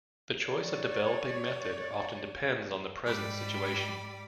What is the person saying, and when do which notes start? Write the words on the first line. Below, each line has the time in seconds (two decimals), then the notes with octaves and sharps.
The choice of developing method often depends on the present situation.
0.45 C#5 D5
3.06 G#2 G3 D5 B5